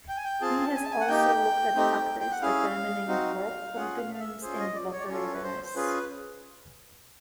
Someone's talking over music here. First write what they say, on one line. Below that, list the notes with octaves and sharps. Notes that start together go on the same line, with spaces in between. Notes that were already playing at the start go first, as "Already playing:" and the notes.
He has also looked at factors determining work continuance in lottery winners.
G5
G#5
G5
C4 F4 G#4 A5
G#5
A5
G#5
F#5
A#3 D#4 G4 G5
A3 C4 D#4 G4
G5
F#5
C#4 E4 G#4 F5
C4 D#4 F#4
C#4 F4 G#4 F#5
F5
F5
E5
C#4 F4 G#4 C5
D#5
D5
C#5
D5
C#4 F4 A4 C#5
B4
C5
C5
C#4 F4 G#4 B4